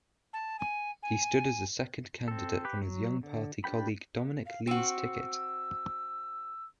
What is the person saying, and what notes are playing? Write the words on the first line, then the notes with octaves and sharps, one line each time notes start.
He stood as a second candidate on his young party colleague Dominic Lee's ticket.
A5
G#5
G#5
C4 A4
G4 B4
F#3
D3
D4 G4 B4 G5 B5
F5
C4 F#4 E6